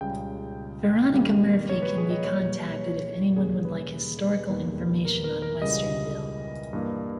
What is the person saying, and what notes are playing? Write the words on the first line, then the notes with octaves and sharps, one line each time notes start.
Veronica Murphy can be contacted if anyone would like historical information on Westernville.
C#2 C#3 G3 G5
G2 D#3 G3 A#3
C#5
B4
G#4
D#5
A#2 G3 A#3 C#5
D#2 C#3 G3 G#4
B4
E2 D#3 G3 A#3 B4
A#4
A#4
A#4
C#2 C#3 E3 G3 D#5
G2 E3 A#3